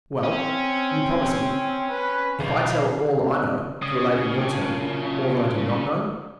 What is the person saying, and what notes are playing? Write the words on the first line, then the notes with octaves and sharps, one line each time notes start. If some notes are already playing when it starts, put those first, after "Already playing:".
"Well, you promise me, if I tell all I know, to relate, in your turn, all that I do not know?"
C4 C#4
B4
B1 E2 F5
C#3 D#6
F#2 A#2 D4 F4 G5